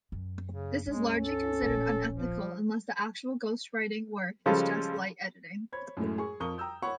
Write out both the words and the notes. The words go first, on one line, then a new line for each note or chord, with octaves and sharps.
This is largely considered unethical unless the actual ghostwriting work is just light editing.
F#2
C#3
C#2 G2 G#3 C#4
A4
D1 A#1
F3
C#3 F3 G3 G#3 A4
C5 C#5 B5 G#6
F#2 A2 G#3 A3
G#4 C#6
F2 A#4 C#6 D#6 G7
G5 A#5 D#6 E6 G6
C#5 F#5 B5 C#6